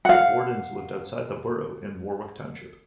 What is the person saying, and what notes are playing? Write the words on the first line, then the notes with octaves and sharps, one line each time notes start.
The Bordens lived outside the borough in Warwick Township.
F5 F#5